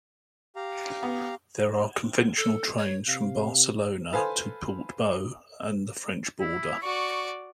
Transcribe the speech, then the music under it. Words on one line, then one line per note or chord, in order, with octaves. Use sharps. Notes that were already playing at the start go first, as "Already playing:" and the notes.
There are conventional trains from Barcelona to Portbou and the French border.
G4 F5 A#5
B3
A4
C#5
C3 F5
A4 B4 C5 F5 G#5
E4
F#4 D5 C#6